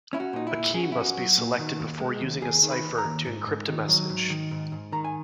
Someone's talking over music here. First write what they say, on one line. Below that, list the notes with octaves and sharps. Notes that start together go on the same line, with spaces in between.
A key must be selected before using a cipher to encrypt a message.
C#4 E4
F#4
A#2 D#4
E4
A#2
C#4 G#4
F#4
E4
C#4 F#4
F#3
A#2
D#3
D#2
G#3
D#2
D#2 G#4
D#3
B4
D#2
A#5
D#2
G#2
G#2
D#3
F#3
G#2
D#3
G#2
G#2
D#3 A#5
G#5